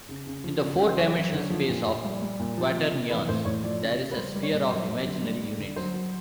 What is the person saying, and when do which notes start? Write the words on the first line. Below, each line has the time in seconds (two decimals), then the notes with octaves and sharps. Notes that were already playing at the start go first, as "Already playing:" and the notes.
In the four-dimensional space of quaternions, there is a sphere of imaginary units.
0.09 C#3
0.27 C#3
0.44 F3
0.62 C#3
0.80 C#3
0.89 C5
0.97 F#3 C#5
1.16 F#3
1.32 D3
1.50 F3
1.69 A#2
1.87 A#2
2.04 G3
2.22 G3
2.40 A#2
2.58 F3
2.75 C3
2.93 C3
3.10 E3 B4
3.29 A2 C5
3.45 A2 C#5
3.63 F3 D5
3.81 C#3
3.90 C#5
3.98 C#3
4.11 B4
4.17 G3 C5
4.35 G3
4.43 C#5
4.53 A#2
4.70 F#3 C5
4.88 F#3
5.05 D3
5.23 G3
5.40 G3
5.58 D3
5.76 F#3 C5
5.94 F#3